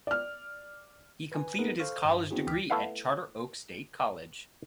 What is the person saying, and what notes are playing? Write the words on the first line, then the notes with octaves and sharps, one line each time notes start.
He completed his college degree at Charter Oak State College.
D5 F6
B4 G#5
B3 D#4 G#4 A#4 B4
A4 C5 F5 C#6 F6
G2
B3 C4 D4 E4 F#4 G#4
D2 E3 G5 D6 F6 B6
A3 B3 E4 F5 F#5